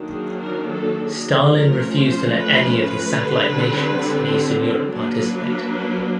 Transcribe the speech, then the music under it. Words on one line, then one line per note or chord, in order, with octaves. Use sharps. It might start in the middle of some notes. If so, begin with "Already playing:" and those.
Stalin refused to let any of his satellite nations in Eastern Europe participate.
Already playing: D#3 F#3 A#3 D4
G#4
A#4
A4
G#4
F3 A3 C#4 A#4
C5
B4
B4
D3 G3 C4
F#3 A#3 D4 B4